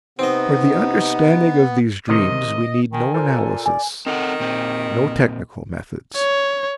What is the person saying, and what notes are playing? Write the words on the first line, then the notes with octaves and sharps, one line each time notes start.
For the understanding of these dreams we need no analysis, no technical methods.
C3 B3 C4 D#4 D#5
C3 D#3 D#5
D#3 G#5
A#2 A4 A#4 C5
D5 G#5
D#3 C4 A4 F#5
A#2 C4
C#5